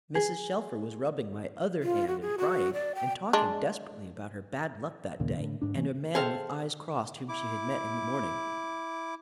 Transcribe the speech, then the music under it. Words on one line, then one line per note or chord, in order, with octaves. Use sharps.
Mrs. Shelfer was rubbing my other hand, and crying and talking desperately about her bad luck that day, and a man with eyes crossed whom she had met in the morning.
G#4
F4
F#4
G#4
F#4
D5
G5
G#3 D4
D#2 A#2 C#3 A#3
A2 D3
G#2 D4
E3 A#3 C#4
G#4 A4 C5 F5 G5
E4 D6